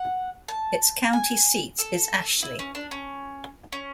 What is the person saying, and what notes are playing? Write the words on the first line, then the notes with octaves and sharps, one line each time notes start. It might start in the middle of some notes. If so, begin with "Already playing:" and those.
Its county seat is Ashley.
Already playing: F#5
A5
G#5
A4
E4
C#4
D4
C#4
C#4